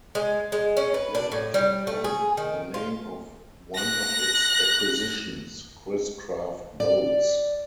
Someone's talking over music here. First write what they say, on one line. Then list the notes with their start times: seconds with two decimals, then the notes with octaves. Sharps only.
It later took on the name of one of its acquisitions, Chris-Craft Boats.
0.15 G#3
0.52 G#3
0.77 C#4
0.94 B4
1.15 D4
1.32 A2
1.54 G3
1.87 A3
2.04 G#4
2.37 D#3
2.74 F4
3.75 F#6 A#6
6.80 D5